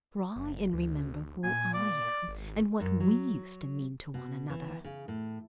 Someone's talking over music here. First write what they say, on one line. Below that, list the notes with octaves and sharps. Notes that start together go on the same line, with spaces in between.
Try and remember who I am and what we used to mean to one another.
F#1
D2
A#2 G#5
D5
G#1
F#2
F#3
B2
E3
C#3
A2